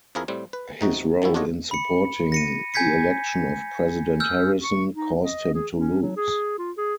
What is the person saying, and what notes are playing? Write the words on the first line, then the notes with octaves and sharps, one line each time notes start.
His role in supporting the election of President Harrison caused him to lose.
F2 F3 E4 G#4 A#4 E5
A2 G3 C4
B4
C3 D#4 F#4
D#3 F3 C#4 E4
D4 F4 F#4 C#5 D#5
B5 C#7
A#6 C#7 D#7
G#5 G6 G#6 B6 C#7
E6 F6 G6
C#6
D#4
D#5
G#4
C#4
F#3
G#4
F4
G#4